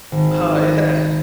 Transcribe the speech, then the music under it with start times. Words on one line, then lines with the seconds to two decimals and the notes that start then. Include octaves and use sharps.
Oh yeah,
0.12 G#1